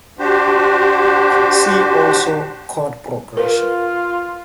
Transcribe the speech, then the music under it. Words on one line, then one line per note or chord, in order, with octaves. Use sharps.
See also Chord progression.
D4 F#4 G4 C5
F4 A#4 B4